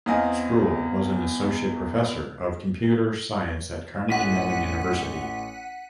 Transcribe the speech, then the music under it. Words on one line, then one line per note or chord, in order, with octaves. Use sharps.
Sproull was an Associate Professor of Computer Science at Carnegie Mellon University.
E2 C4 D#5 F5 G#5
A1 F#5 B6 D#7